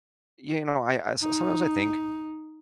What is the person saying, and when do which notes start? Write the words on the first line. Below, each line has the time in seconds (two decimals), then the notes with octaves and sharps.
You know, I I s sometimes I think
1.22 D#4